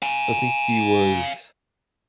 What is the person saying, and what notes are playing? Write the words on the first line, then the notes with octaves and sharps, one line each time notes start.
I think he was
F5 G#5